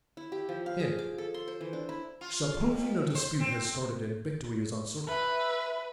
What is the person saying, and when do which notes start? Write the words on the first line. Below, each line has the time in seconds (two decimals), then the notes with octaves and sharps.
HIM: Supposing a dispute has started and victory is uncertain.
0.17 E4
0.32 G4
0.49 F3
0.66 F5
0.80 G#4
0.98 D6
1.18 A4
1.34 C6
1.48 C5
1.61 E3
1.73 D4
1.89 E4
2.21 F4
2.60 F2
3.15 C5
3.40 C4
5.08 B4 E5